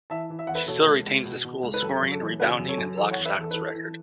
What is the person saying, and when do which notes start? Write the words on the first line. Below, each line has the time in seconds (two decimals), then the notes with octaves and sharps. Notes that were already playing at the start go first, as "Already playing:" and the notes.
She still retains the schools scoring, rebounding and blocked shots record.
0.10 E3 E5 A5
0.30 E3
0.39 E5
0.47 E2 F#5
0.55 B4 E5
0.67 B2 A4 C#5
0.86 C#2
1.06 C#2
1.25 B2
1.44 B2
1.63 C#2
1.74 B4
1.82 F#2 A4
2.02 F#2
2.11 A4
2.21 E3
2.40 C#3 F#4 B4
2.59 F#2
2.68 A4 C#5
2.78 F#2
2.97 E3 A4
3.11 C#5 F#5
3.16 E2
3.25 B4 E5
3.35 E2
3.41 A4
3.51 B4
3.54 E3 A4
3.74 E3